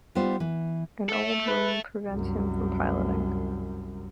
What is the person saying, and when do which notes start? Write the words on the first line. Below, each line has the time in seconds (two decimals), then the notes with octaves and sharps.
An old wound prevents him from piloting.
0.15 G3 B3 D#4 F4 C5
0.40 E3
1.09 A4 E5
1.47 B4
2.09 C2 F#2